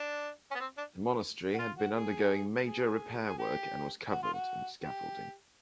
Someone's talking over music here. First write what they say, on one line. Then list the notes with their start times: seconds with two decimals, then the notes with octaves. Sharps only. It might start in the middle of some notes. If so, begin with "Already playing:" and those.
The monastery had been undergoing major repair work and was covered in scaffolding.
Already playing: D4
0.51 C#4
0.55 B3
0.60 C4
0.77 D4
1.54 F#4
1.58 F4
1.77 F#4
1.95 G#4
2.66 G#4
3.26 G#4
3.38 G4
4.10 F#4
4.22 F4
4.33 F#4
4.82 G4